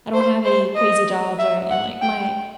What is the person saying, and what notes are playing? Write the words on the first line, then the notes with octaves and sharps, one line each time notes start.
I don't have any crazy jobs or and, like, my
C5
C5
D#5
E5
F#5
G5